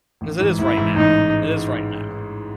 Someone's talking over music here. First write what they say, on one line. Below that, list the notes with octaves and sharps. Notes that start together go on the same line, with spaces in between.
'Cause it is right now. It is right now.
A1
G#2 E3
A1 E4
G#2 E3
A1 D#4